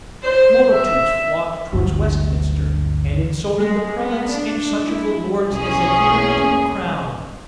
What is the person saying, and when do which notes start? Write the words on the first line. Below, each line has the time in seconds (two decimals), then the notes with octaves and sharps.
Multitudes flocked towards Westminster, and insulted the prelates and such of the lords as adhered to the crown.
0.24 C5
0.72 E5
1.73 G1 D2 G2 F#3
3.56 G#3
3.99 B3
4.30 D4
4.84 E4
5.50 B1 E2 C#4 G#4